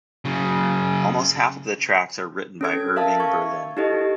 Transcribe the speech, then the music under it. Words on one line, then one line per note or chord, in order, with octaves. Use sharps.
Almost half of the tracks are written by Irving Berlin.
C#3 F#3
C#4 A4 G#6
A#4 E5 F5 A5
C#6 G#6
D#4 E4 G4 A4 D#5